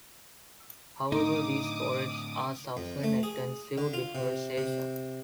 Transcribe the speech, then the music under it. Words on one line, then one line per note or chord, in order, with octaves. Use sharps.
However, these forests are suffering extensive deforestation.
A2 D3 D#4 D6 D#6
F2
A3
G#4
D3
F4
C3
C3